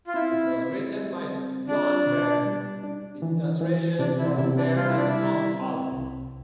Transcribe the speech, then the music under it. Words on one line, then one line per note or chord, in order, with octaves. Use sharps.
It was written by John Byrne, with illustrations by Byrne and Tom Palmer.
F4
C4 E4
C4
G3
C4
D4 F4
B2
G3
D4
E3
E3
C3 D4
E4
C3 E4
D4
G3 F4
E4
D4
E4
G3
C4
C2